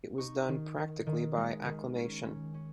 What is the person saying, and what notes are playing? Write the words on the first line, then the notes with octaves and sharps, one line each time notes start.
It was done practically by acclamation.
D#4 C#6
D#3
D#3
D#3
G#3
D#3
C#4
C#4
C#4